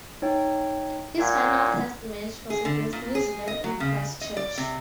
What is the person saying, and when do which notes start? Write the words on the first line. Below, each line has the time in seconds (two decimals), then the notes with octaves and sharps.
His final Test match was against New Zealand in Christchurch.
0.22 D#4 C#5 G5
1.20 A#2 F#5 E6 G#6
2.50 G#4
2.65 D3
2.93 A#2
3.15 G#4
3.47 D#5
3.64 F#3
3.80 C#3
4.21 D#5
4.37 D5
4.58 C3